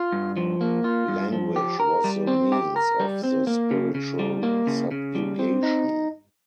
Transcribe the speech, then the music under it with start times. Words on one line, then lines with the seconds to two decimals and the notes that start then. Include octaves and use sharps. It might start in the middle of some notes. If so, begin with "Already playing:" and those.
Language was the means of the spiritual subjugation.
Already playing: F4
0.12 G2
0.37 F3
0.61 A#3
0.84 F4
1.08 G2
1.32 F3
1.56 G4
1.80 A#4
2.04 G3
2.27 C4
2.52 G4
2.76 A#4
3.00 G3
3.24 C4
3.47 A#3
3.71 C#3
3.95 C#3
4.19 G3
4.43 A#3
4.67 C#3
4.91 C#3
5.15 G3
5.39 C4
5.63 D#4